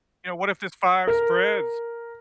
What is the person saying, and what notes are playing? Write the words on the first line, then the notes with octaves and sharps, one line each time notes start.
you know, what if this fire spreads
A#4